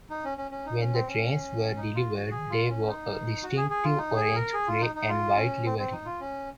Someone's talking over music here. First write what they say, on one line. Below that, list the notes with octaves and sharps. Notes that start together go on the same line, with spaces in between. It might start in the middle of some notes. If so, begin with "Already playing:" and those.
When the trains were delivered they wore a distinctive orange, grey, and white livery.
D#4
C#4
C#4
C#4
D#4
C#4
C4
C#4
D#4
F4
F#4
G#4
F4
C#4
D#4
F#4
G#4
G#4
F4
D#4
G#4
A#4
G#4
F4
D#4
D#4
F4
C#4
C4
C4
D#4
F4
C#4